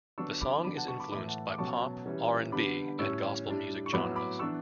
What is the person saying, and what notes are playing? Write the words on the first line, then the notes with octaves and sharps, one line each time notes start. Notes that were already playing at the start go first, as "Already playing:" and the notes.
The song is influenced by pop, R and B and gospel music genres.
D3 F#3 B3 D4 C#6 E6
B5 D6
D3 F#3 B3 D4 B5 D6
F#5 A5
A5 C#6
B5 D6
A2 E3 A3 B5 D6
F#5 A5
D6
B2 F#3 C#4 A5 C#6
E3 G3 C#4
D3 G3 B3 D4 B5 D6
A2 G3 C#4 C#6 E6
A2 G3 D4
C#6
A2 F#3 B3 B5 D6
B5 D6
E3 B3 D4 C#6 E6